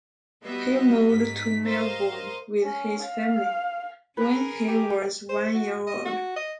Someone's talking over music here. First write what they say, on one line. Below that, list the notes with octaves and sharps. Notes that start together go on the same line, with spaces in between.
He moved to Melbourne with his family when he was one year old.
G3 B3 F#4 G4 D#5 E5
G#2 B6
A#4 C5 D#5 F5 C6
C#4
F5
C#4 G#4 A#4 B4
G4
C5
F#4
D#5
F#4
D#5